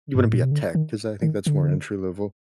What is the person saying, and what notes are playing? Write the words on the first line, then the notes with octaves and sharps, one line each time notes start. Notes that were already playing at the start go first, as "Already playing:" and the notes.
you wouldn't be a tech 'cause I think that's more entry level.
G2
A2
A#2
C3
D3
D#3
D#3
D3